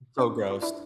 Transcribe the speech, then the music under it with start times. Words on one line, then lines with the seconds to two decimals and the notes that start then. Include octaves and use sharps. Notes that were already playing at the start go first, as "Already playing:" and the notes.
So gross.
0.18 C4 D4
0.51 F4
0.62 D4 E4